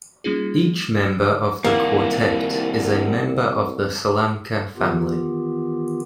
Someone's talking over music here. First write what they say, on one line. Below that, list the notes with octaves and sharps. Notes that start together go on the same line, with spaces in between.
Each member of the quartet is a member of the Slamka family.
G3 A#3 C#4 D#4 F4 G#4
C2 D#3 A#3 E4 F#4
D#3 E3 B3 F4 G4